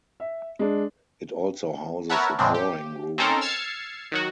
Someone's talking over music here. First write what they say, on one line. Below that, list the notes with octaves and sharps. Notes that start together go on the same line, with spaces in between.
It also houses a drawing room.
E5
G#3 D4
A#4 B4 C#5 E5 F#5 A5
E2 A2 C#3 G#3 C4 D4
G4
C4 C#4 D#4 A4 A#4 C5
E6 F6 G#6 A6 C7 C#7
D#3 F#3 F#4